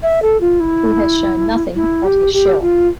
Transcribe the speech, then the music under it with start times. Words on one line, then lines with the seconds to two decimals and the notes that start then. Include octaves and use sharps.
He has shown nothing but his shell.
0.02 E5
0.22 A4
0.40 F4
0.60 E4
1.75 E4
2.04 G4
2.33 G4
2.61 F4